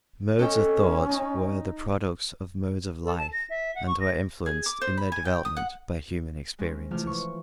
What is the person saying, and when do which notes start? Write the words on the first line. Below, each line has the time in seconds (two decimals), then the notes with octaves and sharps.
Modes of thought were the products of modes of life and were influenced in their development by human experiences.
0.39 C#4 A4 D#5 G5
1.09 D#4
3.03 A4
3.18 A5
3.33 A#6
3.50 E5
3.75 F#5
3.87 C#6
4.01 A#6
4.46 G#4
4.66 D6
4.81 C5
4.97 B5
5.12 G#5
5.25 G5
5.45 D#6
5.57 F#5
6.59 G#3 C4 C#4
6.91 C3 E3 F3 A3 F6
7.07 C#6